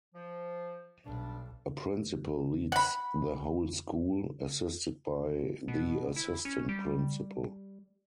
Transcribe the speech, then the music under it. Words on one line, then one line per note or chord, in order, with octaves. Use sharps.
A Principal leads the whole school assisted by the Assistant Principal.
F3
B1 G3 D4
F#5 B5
B2
E4
C#4
G3